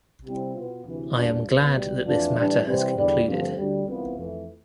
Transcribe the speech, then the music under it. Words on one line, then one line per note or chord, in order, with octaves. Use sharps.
I am glad that this matter has concluded.
C3 G3 C4 E4
B2 B3 F4
D2 C3 E3
E2 B2 G3 D4 F4
B1 B2 B3
B1 B2 G3
F2 E3 A3 D4 F4
A2 E3 G3 D4
C3 E3 G3 C4
E2 D3 G3
G2 D3 F3 A3 C4
D2 D3 G3
C2 C3 E3 B3 F4
F2 E3 A3